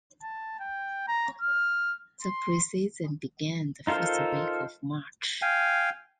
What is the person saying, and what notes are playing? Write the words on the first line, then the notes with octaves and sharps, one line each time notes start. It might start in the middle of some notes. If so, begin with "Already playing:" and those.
The preseason began the first week of March.
A5
G5
A#5
F6
C6
D#4 F4 A4 A#4 C5
F5 G5 G#5